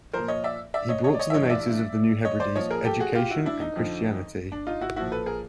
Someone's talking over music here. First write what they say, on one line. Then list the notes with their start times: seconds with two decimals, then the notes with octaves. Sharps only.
He brought to the natives of the New Hebrides education and Christianity.
0.13 A#2 F3 A#4 C5
0.28 C#5 D#5
0.44 D5 E5
0.74 D5 E5
0.89 C#5 D#5
1.04 C#5 D#5
1.14 D5
1.19 C#5 D#5
1.30 E5
1.34 G2 E3 C#5 D#5
1.50 D5 E5
2.25 C#5 D#5
2.40 C5 D5
2.56 A#2 F3 C#5 D#5
2.70 G#4 A#4
2.85 G4 A4
3.00 F#4 G#4
3.15 F4 G4
3.30 E4 F#4
3.46 D4 E4
3.61 D#4
3.76 F2 D3 F3
4.52 D4
4.67 D#4 F4
4.81 E4 F#4
4.96 A#2 F3 E4 F#4
5.12 A4 B4
5.26 G#4 A#4